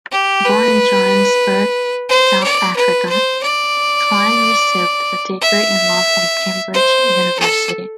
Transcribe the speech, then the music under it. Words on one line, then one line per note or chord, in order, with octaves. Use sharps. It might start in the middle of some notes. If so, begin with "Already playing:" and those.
Born in Johannesburg, South Africa, Klein received a degree in law from Cambridge University.
G4
B4
C5
D5
B4
C5
D5
E5
C5
A4